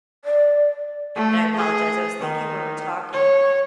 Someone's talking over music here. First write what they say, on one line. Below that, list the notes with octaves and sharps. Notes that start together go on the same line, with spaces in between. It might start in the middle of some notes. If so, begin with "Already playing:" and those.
and I apologize, I was thinking when we're talking
D5
A3
G#4
D#3
C#5